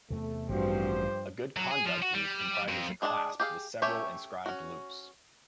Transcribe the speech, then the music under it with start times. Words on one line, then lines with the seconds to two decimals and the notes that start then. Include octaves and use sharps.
A Good Conduct Loop comprises a clasp with several inscribed loops.
0.10 E2 C3 A3
0.49 A1 G2 F3 C4 F#4 G4 C5
1.57 F#3
1.71 G#4
1.86 F3
2.03 F#4
2.15 G3
2.68 F2
3.02 G#3 D4 G#4 A5
3.40 G4 G#4 F5
3.82 A3 C#4 G4 C#5 E5
4.46 C#4 F#4